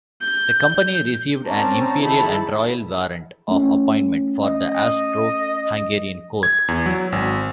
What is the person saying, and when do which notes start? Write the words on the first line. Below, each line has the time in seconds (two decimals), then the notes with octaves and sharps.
The company received an imperial and royal warrant of appointment for the Austro-Hungarian court.
0.21 G6
1.46 C4 C#4 A#4 D5 A5 A#5
2.01 D#3 E4 G#4 A4 A5 B5
3.48 A3 C#4
4.44 D#5
6.43 G#6
6.68 E2
6.86 F#3
7.12 G#1